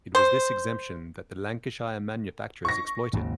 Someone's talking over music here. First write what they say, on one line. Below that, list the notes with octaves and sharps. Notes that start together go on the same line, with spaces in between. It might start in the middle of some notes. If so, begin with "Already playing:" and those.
It was this exemption that the Lancashire manufacturers exploited.
C5
C#6 A#6
G#1 D#2 C#3